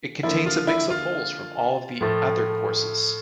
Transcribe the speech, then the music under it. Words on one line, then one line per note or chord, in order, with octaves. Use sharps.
It contains a mix of holes from all of the other courses.
D3 F3 A#3 E4
F4
E4
F4
A2 F3 A3